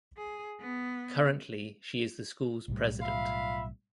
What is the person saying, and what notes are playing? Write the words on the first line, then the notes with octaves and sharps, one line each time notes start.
Currently she is the school's president.
G#4
B3
B1 A2 G3
F4 E5 F5 B5